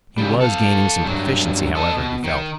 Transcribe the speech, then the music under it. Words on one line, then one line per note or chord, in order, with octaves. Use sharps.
He was gaining some proficiency, however, he felt.
C#3 G3
A4 F5
G2 F#3
A4 D#5
B2
D#3